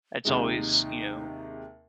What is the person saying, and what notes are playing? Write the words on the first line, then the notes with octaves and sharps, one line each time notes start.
it's always, you know,
D#2 C3 G#3 D#4